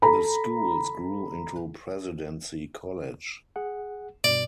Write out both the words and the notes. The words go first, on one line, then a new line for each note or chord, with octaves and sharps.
The schools grew into Presidency College.
A4 A#5 B5
G#4 F#5
G2 B2 D5